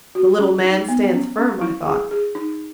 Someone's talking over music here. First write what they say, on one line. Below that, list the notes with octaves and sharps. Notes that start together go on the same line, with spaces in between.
The little man stands firm, I thought.
F#4
C#4
D#4
B3
C#4
C#4
E4
G#4
G#4
D#4